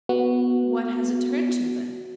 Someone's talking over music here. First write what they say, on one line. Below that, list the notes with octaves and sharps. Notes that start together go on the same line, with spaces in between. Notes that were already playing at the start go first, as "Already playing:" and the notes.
"What has it turned to, then?"
B3 F#4